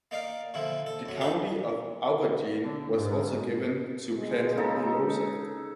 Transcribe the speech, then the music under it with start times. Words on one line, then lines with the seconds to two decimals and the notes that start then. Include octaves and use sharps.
The County of Auvergne was also given to Plantapilosa.
0.11 A#3 D#4 D5 F5
0.54 A#2 D3 F3 E4
0.86 A4
1.06 F#2 F#3
1.21 D#4 G4 A4 B4
2.63 D3
2.94 G#2
4.17 G#3
4.57 C#3 D#4 A4